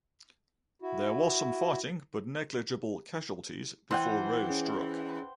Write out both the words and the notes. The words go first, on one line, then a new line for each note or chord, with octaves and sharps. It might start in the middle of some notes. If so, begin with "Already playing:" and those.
There was some fighting but negligible casualties before "Roe" struck.
E4 F#4
E3 C5 F#5 G5
C#4 G#4